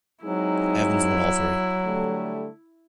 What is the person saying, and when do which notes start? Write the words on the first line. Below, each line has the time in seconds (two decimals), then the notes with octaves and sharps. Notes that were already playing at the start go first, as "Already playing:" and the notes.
Evans won all three.
0.24 F#3 G#3 C4 D#4 E4
1.85 D3 G3 A3